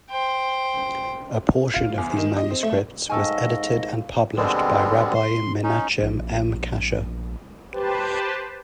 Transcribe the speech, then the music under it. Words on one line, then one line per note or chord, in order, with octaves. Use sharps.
A portion of these manuscripts was edited and published by Rabbi Menachem M. Kasher.
C5 G5
F4
E2
D#3
D#5
C4
A3
G#2 A4 D#5 F5 G5 G#5 C#6 E6
B2 D3 G3 G#3 B3 C4
C6
C#4 D#4
A#1
G4 B4 C5 A5